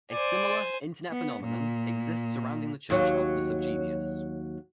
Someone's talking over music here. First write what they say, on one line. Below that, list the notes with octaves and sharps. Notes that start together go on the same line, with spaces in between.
A similar Internet phenomenon exists surrounding the Church of the SubGenius.
C5 D5 G#5
B3
A#2
D#2 F#3